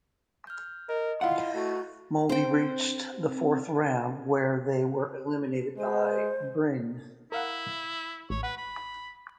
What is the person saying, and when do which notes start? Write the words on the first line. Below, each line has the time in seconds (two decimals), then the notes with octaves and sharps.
Molde reached the fourth round where they were eliminated by Bryne.
0.47 F6 G6
0.89 A#4 D#5
1.21 E4 F4 F5 F#5
1.55 A3 F#4
2.29 C4 C5 G5
5.78 G#3 C5
7.32 E4 A#4 F5 F#5
8.30 A1 C#5
8.43 B4 F#5
8.57 B5